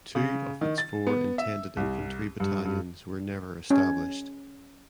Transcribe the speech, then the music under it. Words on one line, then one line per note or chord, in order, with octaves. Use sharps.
Two of its four intended infantry battalions were never established.
C#3
D#3
A6
B3
E5
C2
G2
G2
C#4